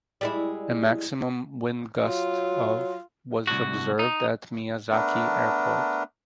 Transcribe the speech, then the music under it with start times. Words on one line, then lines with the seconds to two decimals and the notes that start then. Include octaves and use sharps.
A maximum wind gust of was observed at Miyazaki Airport.
0.21 G3 G#3 E4
2.03 F#3 F4
3.47 C2 A2 D3 F#4
3.99 D#4
4.92 A3 B3 D4 A#4